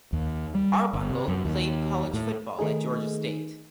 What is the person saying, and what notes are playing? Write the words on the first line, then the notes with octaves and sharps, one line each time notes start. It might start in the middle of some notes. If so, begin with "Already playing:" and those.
Arbuckle played college football at Georgia State.
D#2
G3
G1
C3
F#2
D#2
A2
D#3 A3 D#4 G#4